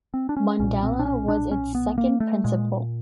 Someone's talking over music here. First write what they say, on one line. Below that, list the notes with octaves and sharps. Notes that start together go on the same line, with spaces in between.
Mundella was its second Principal.
C4
D4
C#4
B1 A#2 C#4
C4
D4
C#4
D4
C#4
B3
A#3
A3
A#2 G#3